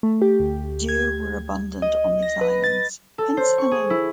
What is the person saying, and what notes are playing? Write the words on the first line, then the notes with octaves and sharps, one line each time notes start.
Deer were abundant on these islands, hence the name.
A3
G4
D2
G#6
D#5
A#6
B4
A6
A4
C5
C#6
G#4
E4